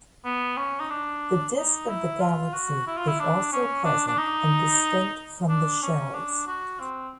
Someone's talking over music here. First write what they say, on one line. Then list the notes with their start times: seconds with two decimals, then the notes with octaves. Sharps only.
The disk of the galaxy is also present and distinct from the shells.
0.25 B3
0.57 C#4
0.80 D#4
0.90 D4
1.56 D#4
1.88 E4
2.21 F4
2.53 F#4
2.87 E4
2.98 F4
3.08 E4
3.20 D4
3.52 C#4
3.85 D4
4.07 D4
4.18 D#4
5.49 D4
5.82 C#4
6.15 D4
6.47 F#4
6.80 C4